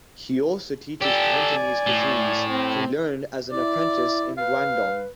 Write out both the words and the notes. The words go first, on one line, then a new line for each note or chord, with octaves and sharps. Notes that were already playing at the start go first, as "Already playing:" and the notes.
He also teaches Cantonese cuisines he learned as an apprentice in Guangdong.
G4 A4 D5 G#5
A2
C4
E4 D5
B4 F5